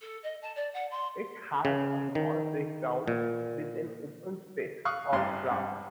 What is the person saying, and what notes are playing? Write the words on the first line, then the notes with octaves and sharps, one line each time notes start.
It has a small playground, with an open space of grass.
A4
D#5
A5
D5
F#5
C6
C#3
D#3
A#2
F5 C#6 D#6 F#6
A1 G2 C6
G2